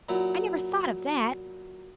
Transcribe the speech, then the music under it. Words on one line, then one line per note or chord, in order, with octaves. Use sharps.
I never thought of that.
A#2 F#3 E4